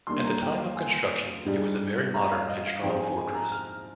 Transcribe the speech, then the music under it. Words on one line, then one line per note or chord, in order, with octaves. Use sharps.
At the time of construction it was a very modern and strong fortress.
D#2 D#3 G3 A#3 D4 C6
A#5
G5
F5
G#5
G#2 G3 D4
A#5
F5
D#5
F5
G#2 F3 G#3 C4 G5
G#5
G#5
A#5
F6